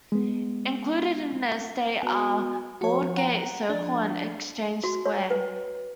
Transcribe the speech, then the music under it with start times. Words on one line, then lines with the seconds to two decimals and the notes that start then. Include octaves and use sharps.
Included in the estate are Broadgate Circle and Exchange Square.
0.12 G#3 B3
2.03 B3 F#4
2.81 F3 F#4 C#5
3.17 F#5 A#5
3.70 F3 D4
4.84 F#4
5.05 C#5
5.30 B4